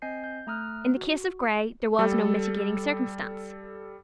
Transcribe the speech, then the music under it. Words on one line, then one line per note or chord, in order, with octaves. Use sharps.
In the case of Grey there was no mitigating circumstance.
C4 D#5 G#5 G6 C7
G6
A3 A#5 D#6 F6 F#6
F#4
G3 A4